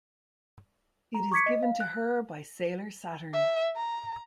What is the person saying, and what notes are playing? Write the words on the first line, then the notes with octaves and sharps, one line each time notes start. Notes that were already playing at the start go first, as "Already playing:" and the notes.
It is given to her by Sailor Saturn.
A#5
C#6 D6 G#6 B6 C#7
D#5
F5
F#6
E5
A#5